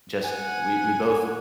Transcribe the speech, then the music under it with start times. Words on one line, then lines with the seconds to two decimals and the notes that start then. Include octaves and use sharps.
just we we both
0.24 F#5 G#5